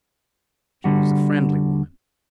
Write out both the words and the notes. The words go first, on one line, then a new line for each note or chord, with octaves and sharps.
She was a friendly woman.
D3 G3 F#4